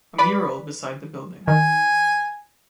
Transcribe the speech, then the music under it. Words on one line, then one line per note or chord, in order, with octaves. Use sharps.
A mural beside the building.
B4 D5 B5
D#3 G#5